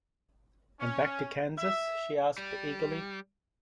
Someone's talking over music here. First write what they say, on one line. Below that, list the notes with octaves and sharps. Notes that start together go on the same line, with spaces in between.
And back to Kansas? she asked, eagerly.
C#4
E5
G3